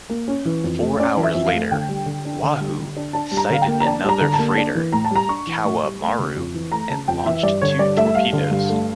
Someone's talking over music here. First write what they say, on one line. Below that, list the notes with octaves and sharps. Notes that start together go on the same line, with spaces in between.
Four hours later, "Wahoo" sighted another freighter, "Kowa Maru", and launched two torpedoes.
A#3
C#4
E3
F2
A3
C#4 D5
E3
E5
F2
F5
A3
D3 G5
G3
D3
D4
D3
G3
D3
D4
D4 A5
G3
A#5
D3 F5
G5
A#3
A#5
D4 A5
G3
A#5
D3
A5
A#3
D4
E3
A2 A#5
A5
G3 A#5
D4 C#6
E3
A2
G3
A3
C#3
F2
E3
A3 A#5
C#3 A5
F2 G5
E3 E5
G2 D5
D3 C#5
G2 D5
A3 E5
G2 F5
D3
G2
A3